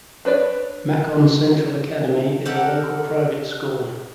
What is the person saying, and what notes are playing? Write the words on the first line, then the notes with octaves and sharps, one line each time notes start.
Macon Central Academy is a local private school.
D4 B4 C#5 D5
G4 A4 A#4 F#5